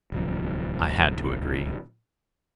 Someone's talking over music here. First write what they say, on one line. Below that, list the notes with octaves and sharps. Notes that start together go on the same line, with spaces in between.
I had to agree.
D1 C2 F3